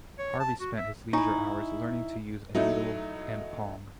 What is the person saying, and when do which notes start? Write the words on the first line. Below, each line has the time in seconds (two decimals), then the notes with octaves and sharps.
Harvey spent his leisure hours learning to use a needle and palm.
0.19 C#5
0.40 A5
0.60 F#4
0.77 E5
1.13 D#4 E4 G#5 A#5 C#6
2.55 F#3 A3 D#4 E4